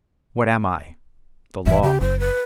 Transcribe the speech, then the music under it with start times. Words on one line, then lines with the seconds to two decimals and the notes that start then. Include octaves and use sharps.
What am I?--the law.
1.67 D#1 G2 E3 E5
1.83 C#3 G4
2.01 F#1 C5
2.20 B4